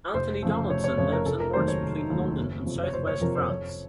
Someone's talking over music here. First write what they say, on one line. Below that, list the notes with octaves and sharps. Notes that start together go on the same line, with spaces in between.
Antony Donaldson lives and works between London and southwest France.
F1 C5
F2 C#3 A3
F1 C#5
C#5
F2 C#3 A3 C#5
A#4
F1 A4
A#4
D#2 D#3 F#3 A3 C5
C#5
F1
D#2 D#3 F#3 A3
F#1
F2 C3 F3
C#5
F#1 C5
C#5
F2 C3 F3 A#4
C5
F2 C#5